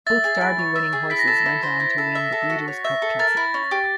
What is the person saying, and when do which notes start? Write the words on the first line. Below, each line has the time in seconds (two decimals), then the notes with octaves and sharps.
Both Derby-winning horses went on to win the Breeders' Cup Classic.
0.07 E5 A6
0.24 G#4
0.41 E4
0.59 C#5
0.76 E5
0.93 G#4
1.10 E4 B6
1.19 A#6
1.27 A4 A6
1.37 A#6
1.46 E4
1.63 C5
1.80 E4
1.98 A4
2.15 E5
2.32 A4
2.50 F#4
2.68 C#5
2.84 E5
3.02 A4
3.19 A#4 A6
3.37 E4
3.54 C#4
3.71 G4